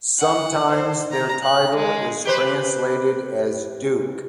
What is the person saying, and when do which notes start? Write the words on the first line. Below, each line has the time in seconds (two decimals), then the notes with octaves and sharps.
Sometimes their title is translated as duke.
0.18 F#5
0.71 C5
1.11 A#5
1.43 F#6
1.76 G#3
2.25 G4 B4 C5